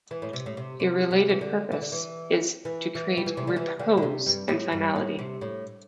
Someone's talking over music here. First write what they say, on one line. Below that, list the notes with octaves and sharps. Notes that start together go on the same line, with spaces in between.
A related purpose is to create "repose" and finality.
E3
A2
C3
A2
C3
C3
C3
E3
D3
E3
D3
E3
E3
E3
G3
E3
C3
D3
E3
D3
D3
C3
G2
A2
G2
A2
C3
A2